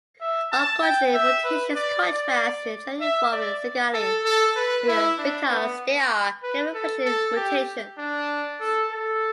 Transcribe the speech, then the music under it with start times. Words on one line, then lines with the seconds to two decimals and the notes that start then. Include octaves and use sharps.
Oncogene mutations, in contrast, generally involve a single allele because they are gain-of-function mutations.
0.20 E5
0.52 A5
0.82 G5
1.14 E5
1.44 B4
1.75 D5
2.06 D5
3.00 E5
3.32 D5
3.93 A4
4.24 A4
4.56 B4
4.87 E4
5.18 D4
5.49 B3
6.43 B4
6.73 A4
7.05 A4
7.36 G4
7.98 D4
8.60 A4
8.91 A4